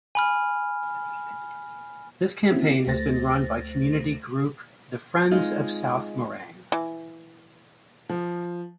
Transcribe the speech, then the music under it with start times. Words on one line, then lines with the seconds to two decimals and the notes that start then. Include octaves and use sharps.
This campaign has been run by community group the Friends of South Morang.
0.15 G#5 B5 F6
2.51 A#3 C4 C#4 E4 F#4
2.87 D2 A3 C5 A6 A#6
5.31 G#3 C4 D#4 F4
6.72 E3
8.09 F3